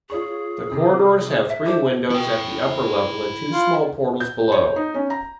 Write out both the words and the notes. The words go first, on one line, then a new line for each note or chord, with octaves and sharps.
The corridors have three windows at the upper level and two small portals below.
F4 G#4 C#5 C#6
C3 D#3
E5
D#4 A4 C5 D6
E4 G5
F4
G6
C#5
D#4
C#4
A#5